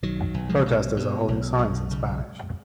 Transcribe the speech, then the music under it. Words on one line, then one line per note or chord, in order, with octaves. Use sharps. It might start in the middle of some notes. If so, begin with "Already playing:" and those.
Protesters are holding signs in Spanish.
B1 D#3 F#3
B1
F3 G#3
B2
B2
B1
B1
C#3